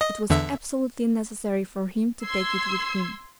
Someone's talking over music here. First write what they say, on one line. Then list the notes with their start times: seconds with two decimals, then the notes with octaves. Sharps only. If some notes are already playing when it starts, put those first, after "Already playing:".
It was absolutely necessary for him to take it with him.
0.01 D#5
0.30 E2 D3 E5
2.26 C6 E6 G#6 C7